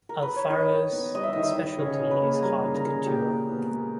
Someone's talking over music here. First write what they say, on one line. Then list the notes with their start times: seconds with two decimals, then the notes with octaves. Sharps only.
Alfaro's specialty is haute couture.
0.09 A#4
0.22 B4
0.36 C#5
0.50 D#3 D#5
0.71 D#3
0.93 B3
1.14 G3 D#5
1.23 E5
1.33 D#3 D#5
1.43 E5
1.52 D#5
1.58 D#3
1.78 C#3 C#5
2.00 C#3
2.11 B4
2.21 A#3
2.33 G#4
2.42 G3 A#4
2.64 C#3
2.74 A#4
2.85 C#3
3.06 A#2 G4
3.28 A#2
3.49 B3
3.71 G#3